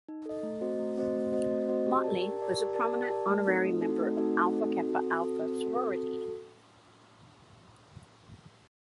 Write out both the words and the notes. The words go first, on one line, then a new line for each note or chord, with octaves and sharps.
Motley was a prominent honorary member of Alpha Kappa Alpha sorority.
D#4
A4 D#5
A3
C4 F#4 C5 D#5
A3
C4 F#4 C5 D#5
A3
C4 F#4 C5 D#5
A3
C4 F#4 C5 D#5
G4
A#4 D5 A5
G4
A#4 D5 A5
G4
A#4 D5 A5
G4
A#4 D5 A5
A3
C4 D#4 F#4 A4
A3
C4 D#4 F#4 A4
A3
C4 D#4 F#4 A4
A3
C4 D#4 F#4 A4
C4
F#4 A4
C4
F#4 A4
C4
F#4 A4
C4
F#4 A4